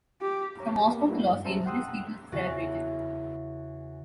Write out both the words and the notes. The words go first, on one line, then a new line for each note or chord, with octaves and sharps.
From Moscow to Los Angeles, people celebrated.
G4
C#5 A#5
A#3 B3 G4
G3 A3 A#3 E4 F#4
G2
C#4 C5 E5 A5 A#5
F#5 G5 C6 D#6 E6 F#6
E2 C#3 F#4 A6 A#6